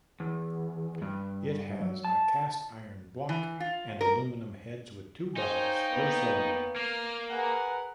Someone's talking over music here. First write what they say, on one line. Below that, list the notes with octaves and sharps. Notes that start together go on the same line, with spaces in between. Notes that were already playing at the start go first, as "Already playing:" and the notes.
It has a cast iron block and aluminum heads with two valves per cylinder.
E2
G2
F#3
A5
E3
F4
A#4
D#4 G#4 C5 C#5 F5 G5
A#3 B3
A#3 F6 D#7
G#4 A#4 B4 F#5